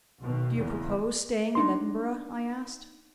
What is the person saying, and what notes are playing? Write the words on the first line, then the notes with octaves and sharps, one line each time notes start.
"Do you propose staying in Edinburgh?" I asked.
B1 B2 D#3
E2 C#3
D4 D#4 C6